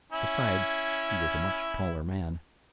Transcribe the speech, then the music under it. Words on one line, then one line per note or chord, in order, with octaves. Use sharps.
Besides, he was a much taller man.
C#4 E4